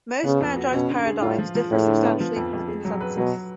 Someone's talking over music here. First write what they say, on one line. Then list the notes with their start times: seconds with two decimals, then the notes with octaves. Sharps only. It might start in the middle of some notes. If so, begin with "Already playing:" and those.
Most Magi's paradigms differ substantially from the consensus.
0.24 C#3 B3
0.40 F2
0.56 F#4
0.73 B2 C#4
0.90 D3
1.06 G#4
1.21 A2 F4
1.38 F3
1.55 F3
1.71 A2 G#3
1.87 D3
2.04 B3
2.20 F3
2.36 F2
2.53 F2
2.68 G#4
2.85 F#3
3.01 B4
3.17 B2 F#3